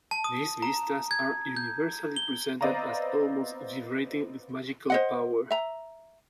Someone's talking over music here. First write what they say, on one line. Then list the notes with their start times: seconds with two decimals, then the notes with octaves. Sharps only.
These vistas are universally presented as almost vibrating with magical power.
0.11 A5
0.24 D#6
0.62 A#5
1.11 G#6
1.57 G6
2.16 G7
2.61 B3 C4 D5 D#5 F5 A#5
4.90 C5 D#5 F#5
5.51 E5 A#5